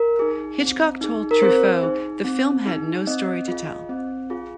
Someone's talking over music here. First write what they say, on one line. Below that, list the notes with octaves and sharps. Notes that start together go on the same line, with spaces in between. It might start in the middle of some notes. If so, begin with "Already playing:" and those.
Hitchcock told Truffaut "The film had no story to tell".
Already playing: A#4
D#4 G#4
C4
D#4 G#4
A#4
C4 C5
D#4 G#4
C4
D#4 G#4
C4 D#5
F4 G#4
C4
F4 G#4